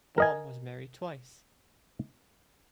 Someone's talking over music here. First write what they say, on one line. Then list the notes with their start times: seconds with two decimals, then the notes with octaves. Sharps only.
Baum was married twice.
0.18 A#4 D#5 G#5